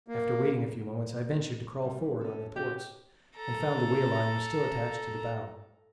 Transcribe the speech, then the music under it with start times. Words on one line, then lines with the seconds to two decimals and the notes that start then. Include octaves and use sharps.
After waiting a few moments, I ventured to crawl forward on the thwarts, and found the whale-line was still attached to the bow.
0.08 A#3
1.85 G3
2.21 C#4 A4
2.56 F#4 G4 C#5 D#5
3.36 A4 A#5